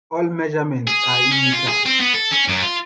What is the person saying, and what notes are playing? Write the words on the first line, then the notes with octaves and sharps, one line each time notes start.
All measurements are in metres.
G#4
C#4
F4
G#4
C4
B3
A4
C#4
F#2
F4